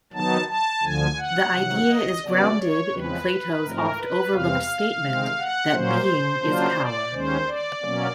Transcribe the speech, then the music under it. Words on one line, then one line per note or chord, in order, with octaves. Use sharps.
The idea is grounded in Plato's oft-overlooked statement that being is power.
D#3 F#3 B3 D#4 A5
A5
D2 D3 F3 G#5
F#5
C3 D#3 F#3
D#5
C#3 F#3 B3 D5
C#5
E2 C#3 F3 G#3 C4 B4
G#2 F3 A3 C4 D#4 A#4
B4
E2 C3 E3 G3 C4 F5
C3 D#3 G#3 C4
F#5
A#2 F#3 A#3 C#4 C5
C#3 F#3 A#3 D4 F4
D5
D#2 D#3 G#3 C#4 C5
D5
B2 F#3 A#3 C#4